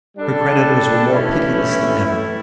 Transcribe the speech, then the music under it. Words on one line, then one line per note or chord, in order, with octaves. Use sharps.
Her creditors were more pitiless than ever.
G3 D4 A4
G2 E3 A3 C#4 E4
A2 E3 A3 E4